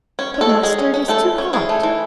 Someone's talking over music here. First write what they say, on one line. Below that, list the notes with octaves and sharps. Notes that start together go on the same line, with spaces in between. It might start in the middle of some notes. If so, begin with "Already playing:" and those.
"But mustard is too hot."
C#4
C#4
A4
G#3
G#3 G#4
C#4
C#4
A3 A4
E3
C#4
E3 G#4
A3
E3